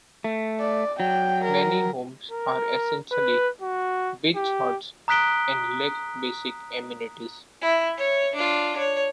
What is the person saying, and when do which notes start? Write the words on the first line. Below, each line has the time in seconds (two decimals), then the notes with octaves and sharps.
Many homes are essentially beach huts and lack basic amenities.
0.24 A3
0.60 D5
1.00 F#3 G5
1.44 A#4
2.31 A#4
3.11 B4
3.62 F#4
4.35 G4
5.08 A#5 D#6 F#6 B6 D7 G7
7.61 E4
7.98 C#5
8.35 D4 F4
8.78 C#5